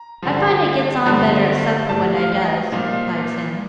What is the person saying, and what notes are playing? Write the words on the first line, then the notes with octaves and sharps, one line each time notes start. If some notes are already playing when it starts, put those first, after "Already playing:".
'I find I gets on better at supper when I does,' replied Sam.
Already playing: A#5
G2 D3 F3
G2 D3 F3
A2 G3 A5
F5
D#5
A#2 F3 F5